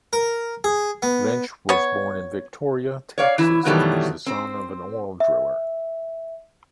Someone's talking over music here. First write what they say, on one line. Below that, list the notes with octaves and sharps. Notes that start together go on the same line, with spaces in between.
Lynch was born in Victoria, Texas and was the son of an oil driller.
A#4
G#4
B3
B3 C#5
C#5 D5 F5
E3 E4
B2 D#3 E3 F#3 G3 A3
C4 C5
E5